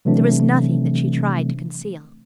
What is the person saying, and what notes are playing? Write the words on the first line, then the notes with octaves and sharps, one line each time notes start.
There was nothing that she tried to conceal.
C3 E3 F#3 A3 C4 D4